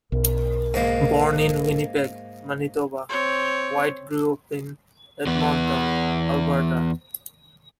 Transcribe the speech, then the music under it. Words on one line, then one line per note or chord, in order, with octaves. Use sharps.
Born in Winnipeg, Manitoba, Whyte grew up in Edmonton, Alberta.
B1 A#4
G#2 A#3
C4 C#5
E2 B3